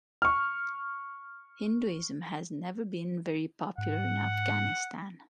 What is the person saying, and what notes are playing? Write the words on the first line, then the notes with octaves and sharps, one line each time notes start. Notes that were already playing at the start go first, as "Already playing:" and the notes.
Hinduism has never been very popular in Afghanistan.
C#6 F6
G#2 F#5